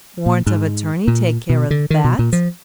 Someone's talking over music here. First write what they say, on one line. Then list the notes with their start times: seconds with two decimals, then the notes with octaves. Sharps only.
Warrant of attorney--take care of that.
0.26 A#2
0.47 G#2
1.08 A#2
1.49 B2
1.71 D3
1.90 D#3
2.04 B2
2.19 A#2
2.33 F3